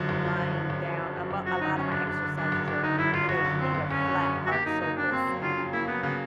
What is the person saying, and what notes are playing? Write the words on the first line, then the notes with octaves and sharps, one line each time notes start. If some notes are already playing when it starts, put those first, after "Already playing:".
lying down. A mo a lot of my exercises are, you know, you need a flat hard surface and,
Already playing: F#2 D3 F3
F#1
F3
D3
F#2
F#1
F3
D3
F#2
F#1
F3 F#4
D3 D#4
F#2 C#4
F#1 D4
F#1 D4
D3
F#2 D4
F#1
F#1 D4
D3 D#4
F#2 E4
F#1 F4
F#1 F#4
D3
F#2 C4
F#1
F#1 C#4
D3
F#2
F#1
F#4
A#3 G4
F#3 D#4
C#3 D#4
F2 D4
A#3 C4
F#3
C#3 F4
F2
A#3 E4
F#3 B3
C#3 B3